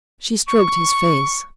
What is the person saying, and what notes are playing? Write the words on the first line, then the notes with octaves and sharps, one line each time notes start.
She stroked his face.
C#6